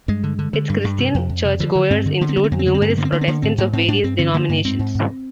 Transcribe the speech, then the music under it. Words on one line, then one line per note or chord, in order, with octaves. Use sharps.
Its Christian churchgoers include numerous Protestants of various denominations.
G2 G#3
D3
D3
D3
G2
G2
C3
F2
F2
C3
D3 F3
D3
G2 C4
D3
D3 A#3
C4
D3 A#3
C4
F2 A#3
C4
D3 A#3
C4
G2 A#3
C4
D3 A#3
C4
D3 A#3
C4
D3 A#3
G#2 C4
G#2 A#3
G#2 C4
G#2 D4
G2 C4
D3 C4
D3 A#3
G2 A#3
G#2 C4
G#2
G#2